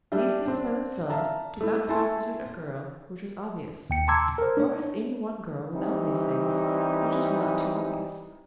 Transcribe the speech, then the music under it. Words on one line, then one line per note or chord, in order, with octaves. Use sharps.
These things by themselves do not constitute a girl which is obvious; nor is any one girl without these things which is not too obvious.
G3 D4 G4 E5
C4 D4
E5 F5 A5 A#5
A3 E4
E4 A4 G#5 A5 C6
D#2 G5 C#7
A5 A#5 C6 D6 E6 G#6
A#4 C5
D4 C#5
E3 G3 C4 D#4